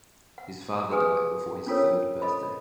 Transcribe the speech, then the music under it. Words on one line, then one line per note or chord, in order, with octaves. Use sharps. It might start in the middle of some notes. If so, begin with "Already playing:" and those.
His father died before his third birthday.
F#5
G4 G#4 B4 G#5 D#6
C#4 D4 F4 A4 A#4 C#5
A4 D#5 B5